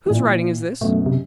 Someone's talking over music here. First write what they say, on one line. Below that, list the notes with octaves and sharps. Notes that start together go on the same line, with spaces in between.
'Whose writing is this?'
A#2 E3
F#2 B2 A3
C3